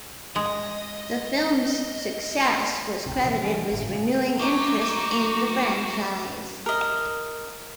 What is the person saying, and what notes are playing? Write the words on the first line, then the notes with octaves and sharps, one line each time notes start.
The film's success was credited with renewing interest in the franchise.
G#3 D#5
G1 C#2 C3
B2 E3 F3
E3 F3 G3 C#4
G1 A2 D3
C#3
F#3 D#4 A#5 D6
A#4 D#5